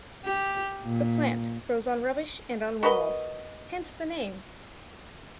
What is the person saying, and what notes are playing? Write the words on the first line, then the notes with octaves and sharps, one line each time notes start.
The plant grows on rubbish and on walls, hence the name.
G4
A#2
F#4 A#4 B4 D#5